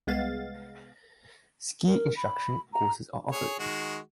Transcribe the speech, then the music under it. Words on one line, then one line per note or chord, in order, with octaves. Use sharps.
Ski instruction courses are offered.
C2 G#3 B3 F5 A6
A#4
B5
A#5
G#4 C#5
D#3 G#3 F#4